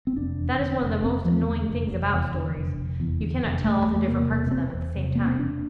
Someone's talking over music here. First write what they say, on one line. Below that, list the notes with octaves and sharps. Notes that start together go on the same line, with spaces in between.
That is one of the most annoying things about stories, you cannot tell all the different parts of them at the same time.
C4
F1 D4
E2
D3
F1
F1 C4
E2 F3
A#3
D3 A3
F1
F1
E2
D3
F1
F1
E2
D3
F1
E1 A3
E2
A3
C3 A#3
E1
A#3
E1 C4
E2
C3
E1 A#3
C4
E1 D4